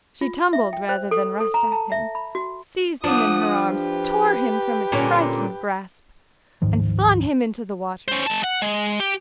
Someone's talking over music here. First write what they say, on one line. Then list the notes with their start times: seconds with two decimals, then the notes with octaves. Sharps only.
She tumbled rather than rushed at him, seized him in her arms, tore him from his frightened grasp, and flung him into the water.
0.21 F4
0.53 E5
0.73 G5
0.89 C5
1.11 A4
1.40 A4
1.54 A#5
1.72 A5
1.92 E5
2.15 B5
2.35 F#4
3.04 F3 D4 F#5 D#6
3.68 G4 B4
4.92 A#2 D3 C#4
6.62 D1 G#2 D#3 F3
8.08 C#4 C5
8.26 G#3 A5
8.44 F#5
8.62 G#3
9.00 G4